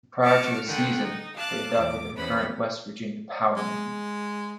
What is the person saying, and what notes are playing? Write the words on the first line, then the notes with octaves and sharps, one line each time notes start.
Prior to the season, they adopted their current West Virginia Power name.
F#5 A5 C#6 D6 F6
D3 D#3 F#5 G5
D#4
F5 A5 D6 F#6
E2 D6
E2 B3 C#4 B4 C5 B5
G#3